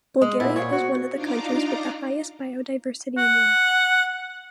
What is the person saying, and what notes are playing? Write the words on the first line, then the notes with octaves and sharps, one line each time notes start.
Bulgaria is one of the countries with highest biodiversity in Europe.
G#3 D#5
A#2 B3 E4 C5 F#5
C5 C#5
F#4
D4 D#4 F4 F5 A#5 D6
F#5